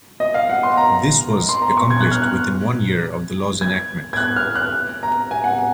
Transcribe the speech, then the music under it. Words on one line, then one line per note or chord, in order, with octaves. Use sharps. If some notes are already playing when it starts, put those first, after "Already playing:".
This was accomplished within one year of the law's enactment.
D#5
F5
F#5
C6
A#5
C6
A#5
C6
C#6
G#6
F#6
F6
F#6
G#6
G#6
F#6
F6
F#6
A#5
G#5
F#5
G#5